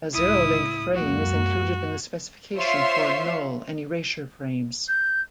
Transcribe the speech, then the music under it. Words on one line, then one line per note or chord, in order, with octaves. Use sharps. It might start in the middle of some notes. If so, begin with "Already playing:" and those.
A zero length frame is included in the specification for 'null' and erasure frames.
C#2 A2 E4 D#6
F#2 G#3 A#3 F#4
F4 C5 C#5 E5 F5 C6
G6